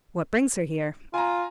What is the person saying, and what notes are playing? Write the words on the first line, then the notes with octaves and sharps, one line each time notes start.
"What brings her here?"
F4 G#5 A#5